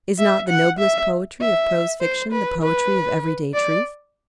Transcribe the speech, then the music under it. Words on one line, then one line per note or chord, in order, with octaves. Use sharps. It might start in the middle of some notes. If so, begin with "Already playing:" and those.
Is not the noblest poetry of prose fiction the poetry of every-day truth?
E5
F#5
E5
E5
C5
B4
B4
D5